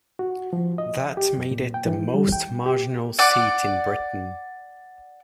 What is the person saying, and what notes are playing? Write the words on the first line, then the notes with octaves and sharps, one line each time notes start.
That made it the most marginal seat in Britain.
F#4
F3
D#5
G4
F#2
A#2
G5
E3
G3
G5
G4
D5 F#5 D6